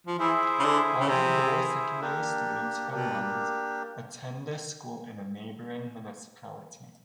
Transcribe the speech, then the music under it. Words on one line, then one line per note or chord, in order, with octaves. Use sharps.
All the lower secondary students from Mund attend their school in a neighboring municipality.
F3
E3 E4 G#4 C5 E5
C#3
D3
C#3
C3 E4 G#4 C5 E5
A#3 D4 G4
B2 A#3 D4 G4